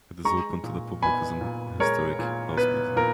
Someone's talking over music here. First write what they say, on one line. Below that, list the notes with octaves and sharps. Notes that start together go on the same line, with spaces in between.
It is open to the public as an historic house museum.
G#3 A#5 C#6
A#2
B3 G#5 B5
A#2
G#3 A#4 C#5
A#2
B3 B4
A#2 A#4